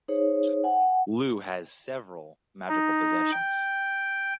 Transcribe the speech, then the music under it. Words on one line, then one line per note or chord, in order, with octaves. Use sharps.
Lugh has several magical possessions.
D#4 G#4 C5 C#5
F#5 G#5
D#4
G5